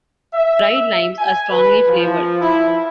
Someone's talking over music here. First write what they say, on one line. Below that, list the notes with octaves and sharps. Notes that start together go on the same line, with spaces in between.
Dried limes are strongly flavored.
E5
G#5
B4
F3
E4